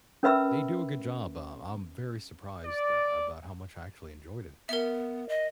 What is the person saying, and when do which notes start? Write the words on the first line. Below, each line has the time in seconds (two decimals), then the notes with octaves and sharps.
They do a good job, um, I'm very surprised a about how much I actually enjoyed it.
0.23 C#4 A#4 B4 E5 B5 E6
2.65 D5
4.69 B3 A#4 E5
5.29 D#5